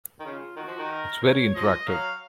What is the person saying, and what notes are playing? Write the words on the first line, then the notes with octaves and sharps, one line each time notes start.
It's very interactive.
D#3
C#3 F4
D#3 F#4
F3
D#3
A#4
C#5
F3 D#5
F#3 F5